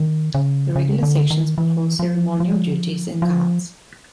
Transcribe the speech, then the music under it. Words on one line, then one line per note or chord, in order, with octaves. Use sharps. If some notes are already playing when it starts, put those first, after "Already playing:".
The regular sections perform ceremonial duties and guards.
Already playing: D#3
C#3
C#3
D3
D#3
E3
F3
F3
F3